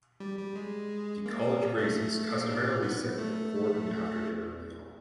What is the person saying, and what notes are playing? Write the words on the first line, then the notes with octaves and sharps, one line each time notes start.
The college grace is customarily said before and after dinner in the hall.
G3
G3
G#3
A#3
A3
A#3
B3
A3